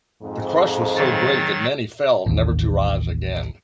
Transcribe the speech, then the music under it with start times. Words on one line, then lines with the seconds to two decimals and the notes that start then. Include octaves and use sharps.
The crush was so great that many fell never to rise again.
0.22 F2 G#2
0.96 D#3 F#3 A6
2.26 A1 D#2